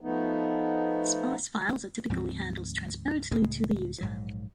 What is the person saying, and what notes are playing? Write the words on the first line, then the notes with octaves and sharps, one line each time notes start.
Sparse files are typically handled transparently to the user.
F3 A3 B3 D#4
D2 G#2 F3 C4
C#2 A2 C#3 G#3
A#1 G#2 F#3